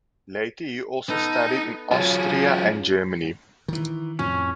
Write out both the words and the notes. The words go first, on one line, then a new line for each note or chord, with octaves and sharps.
Later he also studied in Austria and Germany.
B3 D#4 A4
C#3 F#3 C#4 F4
D#3 E3
F2 A2 C#4